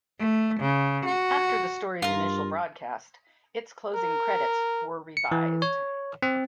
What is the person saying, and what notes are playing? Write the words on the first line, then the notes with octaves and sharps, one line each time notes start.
After the story's initial broadcast, its closing credits were revised.
A3
C#3
F#4
G2 F4 A#4
A#4
C#7
E3
C#5
C4